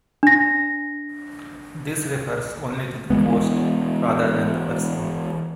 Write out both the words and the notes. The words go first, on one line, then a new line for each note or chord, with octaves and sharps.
This refers only to the post, rather than the person.
D4 A#6
E3 F#3 G#3 B3